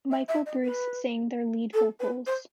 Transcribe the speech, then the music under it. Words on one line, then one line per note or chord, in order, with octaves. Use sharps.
Michael Bruce sang their lead vocals.
E5
E5
D#5
B4
A4
B4
C5